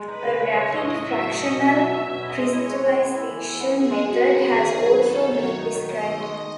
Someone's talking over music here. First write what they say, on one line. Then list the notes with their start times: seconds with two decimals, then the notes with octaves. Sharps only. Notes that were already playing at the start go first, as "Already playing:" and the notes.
A rapid fractional crystallization method has also been described.
Already playing: G#3
0.08 D#4 B4
0.24 C#3
0.38 C#3 C#5
0.54 G#3
0.69 A3 D#5
0.84 A2
1.00 A2 E5
1.15 F#3
1.30 A3 D#5
1.46 B2
1.60 B2 E5
1.76 F#3
1.91 C#4
2.07 B2
2.22 E4 D#5
2.38 G#3
2.53 E4 C#5
2.68 G#3
2.83 G#3
2.99 B3
3.14 E4
3.29 E3
3.44 A4
3.60 B3
3.75 G#4 A4
3.91 G#3
4.05 G#3 F#4
4.21 D#4
4.36 B3 G#4
4.52 D#3
4.67 D#3
4.82 F#3
4.97 B3 A4
5.13 D#3
5.28 D#3 C#5
5.43 F#3
5.59 D#4
5.74 D#3
5.89 D#3 D#5
6.04 A3
6.20 G#3